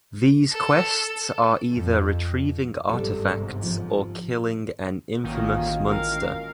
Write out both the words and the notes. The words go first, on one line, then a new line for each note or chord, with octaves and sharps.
These quests are either retrieving artifacts or killing an infamous monster.
A4
F2
G1 G#2 C3 G3 A4
F3
A1 A#2 D#3 F#3 G#3 A#3
A#4 F5